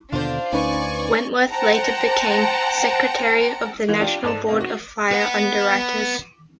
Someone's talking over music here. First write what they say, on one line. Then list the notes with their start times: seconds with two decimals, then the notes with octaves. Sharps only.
Wentworth later became secretary of the National Board of Fire Underwriters.
0.12 D#2 B2 D3 D4 F4 C5
0.53 D2 C#4 D#4 B4 D5 G#5 C#6
1.50 C5 F#5 G5 A5 A#5
3.88 E3 G#3 A#3
4.01 D4 F4 G4
4.24 G#2 A4 D5 E7
4.47 C3 A#3 D#4
4.61 F#4
5.12 B4 F#5